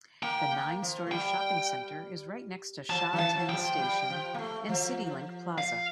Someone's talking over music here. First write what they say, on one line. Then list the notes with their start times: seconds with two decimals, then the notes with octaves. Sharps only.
The nine-storey shopping centre is right next to Sha Tin Station and Citylink Plaza.
0.22 A#3 G5
0.52 A#3
0.82 F3
1.07 A3
1.11 G3 G5
2.90 F3 A5
3.13 E3
3.19 A5
3.35 F3
3.49 G3 G5
3.57 F3
3.79 G3
4.10 F3
4.34 A#3
4.39 A3
4.69 F3
5.58 F5